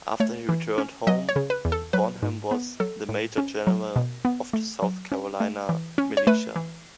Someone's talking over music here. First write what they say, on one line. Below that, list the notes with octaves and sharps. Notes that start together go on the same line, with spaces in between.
After he returned home, Bonham was the major general of the South Carolina Militia.
A3 C#5
E3
C#4
F#3 D#5
C#5
C#3
B4
E2
A4
F#3 B4
G#2
B3
F#3 A4
A2
C#4
F#3
B2
B3
A3
F#3
C#4
A3
E3
C#4
C#5
A3 B4
E3